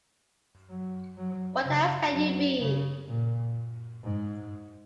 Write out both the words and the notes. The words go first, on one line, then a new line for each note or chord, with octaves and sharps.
What else can you be?
F#3
F#3
C#3
F#3
C#3
A#2
G#2